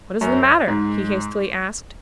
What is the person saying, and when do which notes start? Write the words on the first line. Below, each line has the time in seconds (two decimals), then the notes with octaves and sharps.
"What is the matter?" he hastily asked.
0.21 F#2
0.68 G#2